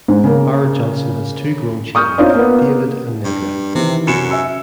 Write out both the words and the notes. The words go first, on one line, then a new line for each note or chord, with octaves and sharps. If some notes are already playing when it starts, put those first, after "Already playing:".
Howard Johnson has two grown children, David and Nedra.
G#2
C#3 A#3 A#4
C#6 D#6 F6 G6
C4 D#4 F4 C#5 D5
A#3 B3
G2
C3 D#3 E3
F#2 C3 C#7 E7
E5 G#5 E6